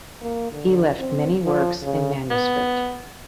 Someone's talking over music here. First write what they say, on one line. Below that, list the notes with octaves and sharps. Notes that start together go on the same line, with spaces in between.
He left many works in manuscript.
A#3
D3
C4
F3
C#3
B3